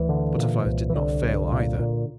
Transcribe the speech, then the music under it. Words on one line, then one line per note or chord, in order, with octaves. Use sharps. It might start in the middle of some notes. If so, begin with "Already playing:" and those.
Butterflies did not fail either.
Already playing: D2 E3
D3
A#2
C2
E3
C2 D3
C2
A#2
A#2